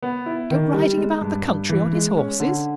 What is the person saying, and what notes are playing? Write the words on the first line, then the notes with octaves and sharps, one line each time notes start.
Go riding about the country on his horses!
B3
E4
D#3
G3
G#3
G2
G2
E3
G#3
C#4
D3